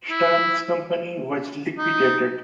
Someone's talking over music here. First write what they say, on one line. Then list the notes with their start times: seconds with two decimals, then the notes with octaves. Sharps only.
Stearns Company was liquidated.
0.10 E4
1.78 D#4